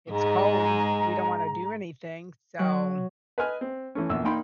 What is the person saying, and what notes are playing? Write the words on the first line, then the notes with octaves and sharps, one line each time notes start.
it's cold. We don't wanna do anything. So,
G#2 G#3 G#4 A#5
F#3
B4 D#5 G#5 F6
C4
E3 A3 C#4
A#1 E2 D3 E6
A#2 A#3 D#4 G5 B5 C6